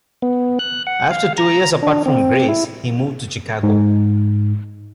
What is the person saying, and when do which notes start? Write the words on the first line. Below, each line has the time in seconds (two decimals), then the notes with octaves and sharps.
After two years apart from Grace, he moved to Chicago.
0.22 B3
0.59 F#6
0.87 F#5
1.11 F5
1.38 A#5
1.83 D4
2.06 C4
2.48 E4
3.63 G#2